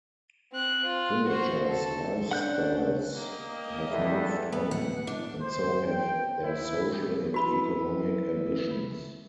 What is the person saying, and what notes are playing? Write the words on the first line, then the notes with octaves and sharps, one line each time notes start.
Villagers' lifestyles have moved on and so have their social and economic ambitions.
C4 F#6
F4
F#4 C5
A4
C#4 D4 F#5 F#6 G6
A#3 G4 D#5
E2 G3 A4 E5
B3
F#5
D4
C5
G5
E4
E4 F#4 B4 B5